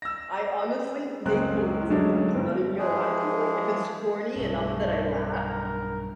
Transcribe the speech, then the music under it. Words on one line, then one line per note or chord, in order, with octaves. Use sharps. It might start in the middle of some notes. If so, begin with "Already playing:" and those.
I, honestly they pull me sometimes. I'm not even gonna lie to you. Like, if it's corny enough that I laugh,
E6 A#6
C#2 F#2 G#3 C4 F#6
D3 F#3 G#3 A3 C#4 D4
G1 C4
E3 F3 G#3 G#4
B1 G2 A3
A#4